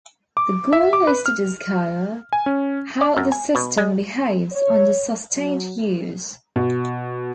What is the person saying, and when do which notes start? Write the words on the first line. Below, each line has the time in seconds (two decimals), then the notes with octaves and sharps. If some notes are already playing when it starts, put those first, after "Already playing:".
The goal is to discover how the system behaves under sustained use.
0.37 D6
0.73 E5
0.93 D6
1.07 B4
1.26 F6
2.33 G#5
2.46 C#4
3.01 D5
3.17 F#2
3.32 G#5
3.55 B2
3.77 G#3
4.52 C#5
5.36 F#3
6.56 B2